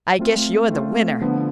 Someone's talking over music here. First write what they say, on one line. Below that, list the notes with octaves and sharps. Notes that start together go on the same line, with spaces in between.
I guess you're the winner!
A3 C4 F4
A3 C4 F4
D3 F3 B3